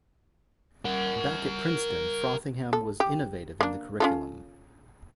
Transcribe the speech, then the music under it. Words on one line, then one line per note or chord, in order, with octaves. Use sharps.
Back at Princeton, Frothingham was innovative in the curriculum.
A#4 F#5
A4
G4
A#3 D4
C#4 F4 A4